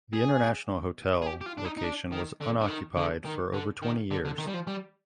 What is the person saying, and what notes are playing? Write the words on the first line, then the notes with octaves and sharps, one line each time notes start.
The International Hotel location was unoccupied for over twenty years.
G#4
G#4
G4
G4
F4
D4
D#4
D#4
D4
D#3
D3
D3
D#3
D3
D#3
D3
D#3
D3
D3
D#3
G3
F3
G3